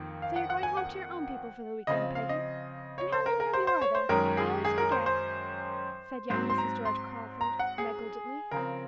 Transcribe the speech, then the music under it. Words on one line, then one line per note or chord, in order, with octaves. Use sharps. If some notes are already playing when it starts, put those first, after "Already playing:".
"So you're going home to your own people for the week end, Peggy?--And how many of you are there,--I always forget?" said young Mrs. George Crawford, negligently.
Already playing: F2 D#3 A#3
F5
F#5
F#5
G#5
F#5
C#3 F3 C4 D#5
F5
D#5
C#5
C5
A#4
A#4
C5
C5
C#5
C5
F#2 D#3 G#3 C#4 A#4
G#4
G#4
A#4
C5
C5
G#2 F#3 C4 C5
C6
A#5
C6
A#5
F#5
G#4
C#3 F3 C4 A#4